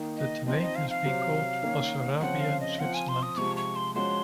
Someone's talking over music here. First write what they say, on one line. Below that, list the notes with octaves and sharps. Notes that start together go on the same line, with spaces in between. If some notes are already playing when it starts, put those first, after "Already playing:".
The terrain has been called Basarabian Switzerland.
Already playing: D#3 A#3 D#4
D#5
F3 C4 D#4 D#5
D#5
F5
F5
C3 F#3 C4
D#3 A#3 C#4
C#3 F3 C4 F4 F#5
F5
D#5
F3 C4 F4 F#5
G#5
C6
D#6
C3 F3 G#3 C#6
C#6
C6
F3 G#3 C#4 F#4 C6